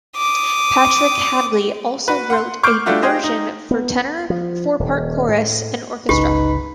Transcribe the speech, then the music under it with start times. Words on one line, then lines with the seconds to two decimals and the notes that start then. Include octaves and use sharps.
Patrick Hadley also wrote a version for tenor, four-part chorus, and orchestra.
0.17 D6 D#6
2.08 F#4 B4
2.30 F#5 C6
2.63 C#6 D6 F6 G6 C7 D7
2.86 G3 A3 D4 F4 F#4
3.02 G4 G#4 C5 D#5
3.24 D#4
3.71 B3
4.30 F3
4.80 D#1
5.29 A2
6.09 G1 C#2 C#3 D#4 G4 B4